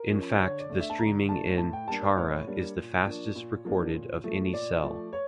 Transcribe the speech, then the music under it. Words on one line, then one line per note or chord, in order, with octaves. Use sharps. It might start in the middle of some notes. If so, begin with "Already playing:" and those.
In fact the streaming in "Chara" is the fastest recorded of any cell.
Already playing: A#4
F3 C#4
D3 C#5
D5
A3 D4
E5
A5
D3 A#5
A3 D4 A5
A2 A5
G5
G3 A#3 D4 A5
D5
A2 C#5
G3 A#3 D4
A#2
F3 A#3 D4
A#2
F3 A#3 D4
A#2
F3 A3
A#2 D5
F3 A3
C#5